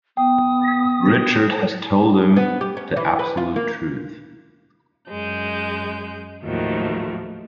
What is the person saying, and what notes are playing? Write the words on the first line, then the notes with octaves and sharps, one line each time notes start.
Richard has told him the absolute truth.
B3 G5 D#6
B3
G4
C#4
E3
B4
F4
A#3
F#2 G#3 G6
D#2 A2 D#3 F3 F#3 A3